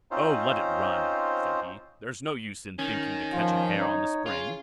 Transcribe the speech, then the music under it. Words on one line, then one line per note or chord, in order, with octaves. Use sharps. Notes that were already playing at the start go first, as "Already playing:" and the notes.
'Oh, let it run', said he; 'there's no use in thinking to catch a hare on the spring.'
C4 C#4 D#4 F4 C5
D#3 C#4
F3 F4
D#4 C#5
C#3 F4